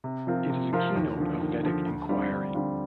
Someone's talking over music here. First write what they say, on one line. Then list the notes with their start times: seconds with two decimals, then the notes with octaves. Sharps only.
It is a keynote of Vedic inquiry.
0.04 C3
0.27 F3 C4 F4 A#4
0.50 C3
0.73 F3 C4 F4 A#4
0.95 D#2
1.17 D3 F3
1.40 D#2
1.63 D3 F3
1.86 D2
2.09 D3 G3 C4 F4
2.32 D2
2.54 D3 G3 C4 F4